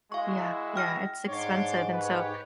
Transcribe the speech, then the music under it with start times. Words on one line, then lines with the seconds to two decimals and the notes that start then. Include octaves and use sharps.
Yeah, yeah it's expensive, and so
0.12 G#3 E4 F#4 F5 C#6
0.76 G5 F6 A#6
1.28 G#2 D4 C#5 C6 D6
1.93 G4 B4 C#5